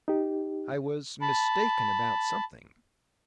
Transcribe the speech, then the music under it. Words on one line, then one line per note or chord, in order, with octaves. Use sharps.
I was "mistaken" about something.
D#4 G4
A5 B5